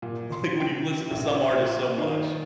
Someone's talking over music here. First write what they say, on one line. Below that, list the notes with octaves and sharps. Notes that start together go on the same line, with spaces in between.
L like when you've listened to some artist so much,
A#2
C6
G5
A#1
D#3